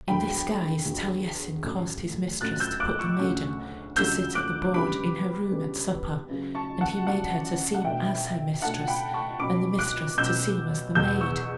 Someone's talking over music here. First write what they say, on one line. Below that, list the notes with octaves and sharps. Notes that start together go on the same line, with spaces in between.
In this guise Taliesin caused his mistress to put the maiden to sit at the board in her room at supper; and he made her to seem as her mistress, and the mistress to seem as the maid.
E2 D3 F#3 G5 B5
E2 D3 F#3
A2 F#3 A3 C#4
A2 F#3 A3 C#4 F#6 A6
E6 G6
D6 F#6
C#6 E6
D2 C#3 F#3 A3 C#4
D2 C#3 F#3 A3 C#4 E6 G6
D6 F#6
C#3 G3 B3 D4 B5 D6
C#3 G3 B3 D4
F#2 C#3 F#3
A5 C#6
F#5 A5
F#2 C#3 F#3 D5 F#5
F#5
B2 A3 D4 E5 G5
B2 A3 D4 F#5 A5
G5 B5
A5 C#6
B2 F#3 C#4 B5 D6
D6 F#6
B2 F#3 C#4 E6 G6
E2 B2 F#3 B3 E6 G6
C#6 E6